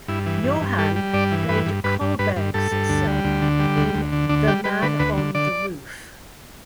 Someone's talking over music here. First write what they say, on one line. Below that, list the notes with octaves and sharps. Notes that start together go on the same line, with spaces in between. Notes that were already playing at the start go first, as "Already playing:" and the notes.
Johan played Kollberg's son in "The Man on the Roof".
G2 E4
E3
G2
G2
G3 A4
G3
G2 D5
E3
G2 B4
G2
G2 B4
G2
G2 B4
G2
G2 A4
G2
D2
G3
D2
D3
G3
D2
D2
D3
D2 D4
G3 G4
G3 B4
D3 B4
D2 B4
D3
D3 D5